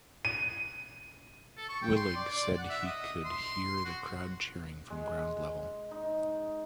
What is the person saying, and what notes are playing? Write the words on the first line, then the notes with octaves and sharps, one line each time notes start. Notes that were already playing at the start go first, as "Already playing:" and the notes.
Willig said he could hear the crowd cheering from ground level.
D#7
A4
C#6
G5
C6
D5
D5
F#5
E5
D#5
C6
F#4
G#3
D#4